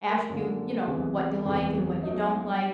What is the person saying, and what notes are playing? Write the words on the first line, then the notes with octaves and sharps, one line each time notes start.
ask you, you know, what ya like and what ya don't like.
A#4
F#2 D3 G3 A#3 A4
C2 C3 E3 G#3 B3
A4
F#1 E2 C3 E3 G#4
B1 B2 F#3 A3 D#4